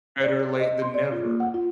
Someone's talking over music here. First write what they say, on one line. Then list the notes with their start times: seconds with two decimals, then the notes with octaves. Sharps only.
Better late than never.
0.24 D5
0.39 C#5
0.60 D#5
0.82 C6
0.94 D5
1.12 F4
1.25 A#3
1.40 F#5
1.54 F4